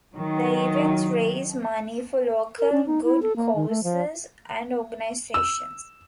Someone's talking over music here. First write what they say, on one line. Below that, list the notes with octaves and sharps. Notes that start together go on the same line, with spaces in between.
The events raise money for local good causes and organisations.
D#3 F#3
A#4
C#4
D#4
E4
A4
A#3
D#3
A3
F3
E6